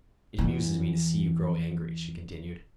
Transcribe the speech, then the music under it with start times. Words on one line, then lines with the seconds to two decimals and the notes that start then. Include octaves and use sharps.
"It amuses me to see you grow angry," she continued.
0.38 E2 E3